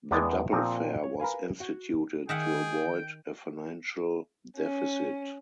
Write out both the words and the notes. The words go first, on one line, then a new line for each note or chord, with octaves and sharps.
The double-fare was instituted to avoid a financial deficit.
E2 G#3 B3 A4 D5 G5
A#2 F3 C4 A#5
C#5
A#4 B4 F5 G#5
F#4 F#5
D#3 G#4 E5 F#5 G5
C#4